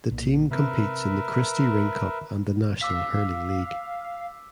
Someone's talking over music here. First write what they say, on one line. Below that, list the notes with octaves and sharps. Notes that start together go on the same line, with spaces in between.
The team competes in the Christy Ring Cup and the National Hurling League.
B1 A#2
C3 A#4 B4 E5
F5 D6 E6 B6